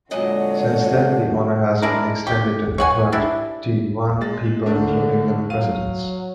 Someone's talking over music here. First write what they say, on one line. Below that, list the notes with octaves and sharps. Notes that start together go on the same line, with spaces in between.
Since then, the honor has been extended to thirty-one people, including eleven Presidents.
A#2 D3 F#3 G#3 C4 F#4 C#5 D#5
G#3 D4 E4 A#4
G4
C#5 F#5 G#5
D4 E4 G4
G#3 A6
D3 A3 D4 A#4
F#3 F5 D#7